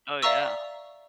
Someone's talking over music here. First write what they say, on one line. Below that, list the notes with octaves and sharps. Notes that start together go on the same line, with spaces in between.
Oh, yeah.
D5 E5 F5 A#5 C#6 E6